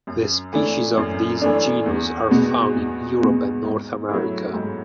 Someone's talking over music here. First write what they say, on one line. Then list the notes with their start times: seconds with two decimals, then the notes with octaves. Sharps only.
The species of this genus are found in Europe and North America.
0.07 F#2
0.53 E3 A3 D4
0.97 F#2
1.42 E3 A3 D4
1.86 E2
2.30 B2 G#3 B3 F#4
2.75 E2
3.20 B2 G#3 B3 F#4
3.64 G#2
4.09 F#3 A3 E4
4.54 G#2